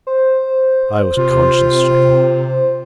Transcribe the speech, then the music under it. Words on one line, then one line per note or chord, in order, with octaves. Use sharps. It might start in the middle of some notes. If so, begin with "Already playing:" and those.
I was conscience-stricken.
C5
C3 F4